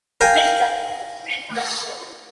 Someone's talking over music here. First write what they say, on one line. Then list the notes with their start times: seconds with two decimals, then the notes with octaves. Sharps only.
Two cars of Satyaki were going to be delivered on the day of Mahalaya.
0.21 A#4 F5 G5 G#5